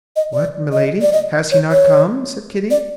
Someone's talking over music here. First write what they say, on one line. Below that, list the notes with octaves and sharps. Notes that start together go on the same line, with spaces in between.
"What, Milady! has he not come?" said Kitty.
D#5
D5
D#5
D5
D#5
C#5
C#5
D5